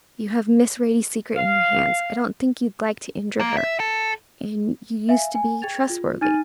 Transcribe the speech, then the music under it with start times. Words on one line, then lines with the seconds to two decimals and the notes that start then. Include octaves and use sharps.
You have Miss Radie's secret in your hands, I don't think you'd like to injure her, and you used to be trustworthy.
1.36 F5
3.40 A#3
3.57 E5
3.80 A4
5.09 E5 F5 G#5
5.35 G#5
5.62 G#4 G5 G#6 A6 F7
5.90 F4
6.21 D#4 G#5 F6 A6 D#7